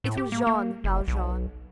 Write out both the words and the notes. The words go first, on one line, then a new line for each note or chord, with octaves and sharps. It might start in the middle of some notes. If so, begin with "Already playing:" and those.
It was Jean Valjean.
A2
G4
A#3
A#3
F#1
B1